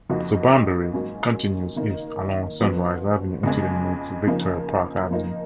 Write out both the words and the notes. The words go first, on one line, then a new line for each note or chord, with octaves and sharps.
The boundary continues east along Sunrise Avenue until it meets Victoria Park Avenue.
F2 F3 A#3 D#4 F#4
G#2 F#3 A#3 C#4
D#3 A#3 D#4
F3 B3 F#4
F2 C#3 G#3
C#3 F3 A#3 D#4
F3 A#3 D#4